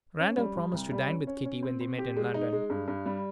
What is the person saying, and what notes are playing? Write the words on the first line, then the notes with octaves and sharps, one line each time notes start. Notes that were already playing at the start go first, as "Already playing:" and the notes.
Randal promised to dine with Kitty when they met in London.
C#4
G3
G3
C2
G3
C#4
C#4
C#4
C4
C4
G4
G#3
D#4
G#3
G2
G2
G3